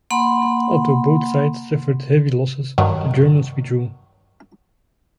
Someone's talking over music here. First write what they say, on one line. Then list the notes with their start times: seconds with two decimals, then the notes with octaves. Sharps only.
Although both sides suffered heavy losses, the Germans withdrew.
0.11 A#3 F#5 B5 C6
2.78 G2 D#3 F#3